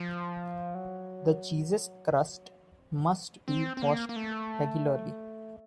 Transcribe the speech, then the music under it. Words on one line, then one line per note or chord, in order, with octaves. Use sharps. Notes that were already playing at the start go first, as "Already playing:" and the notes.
The cheese's crust must be washed regularly.
Already playing: F3
F#3
C4
C4
C4
A#3
A#3
A3